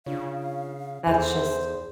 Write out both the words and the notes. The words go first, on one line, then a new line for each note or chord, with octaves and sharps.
that's just
C#3 D4 F4 C#5 F5
E2 D#4 G#4 A4 C5